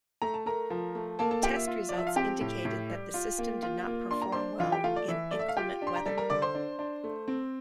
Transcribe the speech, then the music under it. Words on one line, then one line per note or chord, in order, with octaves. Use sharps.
Test results indicated that the system did not perform well in inclement weather.
A3 A#5
A5
A3 A#4 A#5
F3
A3
A#3 A4 A5
A4 A5
F4 G4 G5
E5
F4
F3 D5
E5
F5
C4 G4 G5
A2
A2
G3
F4
A#3
F4
A#3
D4 C6
A#5
D4 C5 C6
E3 F4 F5
G4 G5
A3 F4 F5
D5
E3 E5
A3 D5
E5
F5
F4 G4 G5
D4
C6
A#5
G3 A4 A5
A#4 A#5
D3 D5 D6
C5 C6
D4
D4
A3
C4